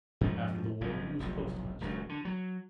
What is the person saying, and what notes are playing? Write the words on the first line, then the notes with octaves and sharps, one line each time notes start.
After the War he was postmaster.
F2 G#2 B2 F3
F#1 F2 G#2
F1 B1
D#1 C#2 F#2 F#3
D3
F#3